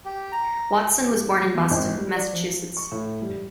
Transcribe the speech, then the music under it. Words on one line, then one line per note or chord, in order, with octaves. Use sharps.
Watson was born in Boston, Massachusetts.
G4
A#5
G4
G3
E2
G#1
G3
D5
F3
C#6
A2
G3